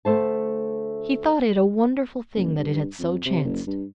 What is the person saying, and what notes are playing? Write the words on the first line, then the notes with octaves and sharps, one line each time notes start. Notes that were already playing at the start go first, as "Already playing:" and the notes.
He thought it a wonderful thing that it had so chanced.
D2 F3 A3 C5 A5
F#1
G2
F2
C3
F#1
G2